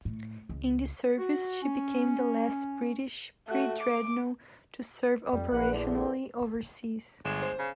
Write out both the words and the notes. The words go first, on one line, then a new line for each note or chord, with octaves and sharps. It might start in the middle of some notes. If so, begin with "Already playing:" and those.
In this service she became the last British pre-dreadnought to serve operationally overseas.
A2
C#2
F#4
C#4
A3 F#4
D6
F2 G3
A#1 E2 B4 F#5
E2 D3
G1 G#3 E7
C5
C#3